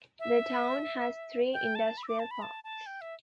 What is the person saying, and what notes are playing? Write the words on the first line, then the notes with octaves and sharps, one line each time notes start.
The town has three industrial parks.
E5
G5
A5
B5
E6
D6
A5
B5
A5
A5
G5
E5